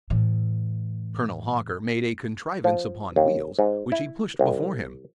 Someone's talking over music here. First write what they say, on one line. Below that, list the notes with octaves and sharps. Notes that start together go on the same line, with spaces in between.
Colonel Hawker made a contrivance upon wheels which he pushed before him.
A2 E3
F3
D#2
G#2
E4
C2